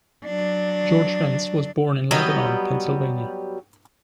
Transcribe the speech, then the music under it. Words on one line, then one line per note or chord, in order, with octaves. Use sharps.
George Rentz was born in Lebanon, Pennsylvania.
F#3 D4
F#3 G3 B3 D#5